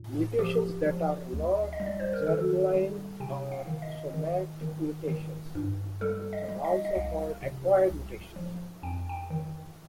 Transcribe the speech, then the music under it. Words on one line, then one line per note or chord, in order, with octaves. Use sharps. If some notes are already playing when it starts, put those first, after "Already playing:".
Mutations that are not "germline" are somatic mutations, which are also called "acquired mutations".
Already playing: A2
F3 G4
F3
D2
D#5
G3
D5
C5
A#4
D#3 A4
G3
C3 G5
F5
D#3
D#5
D#3
D#3
D#3
G2
G3 A4
D#5
G3
D#5
D#5
C2 F5
C3
C2
F3
F2 G5
G5
D#3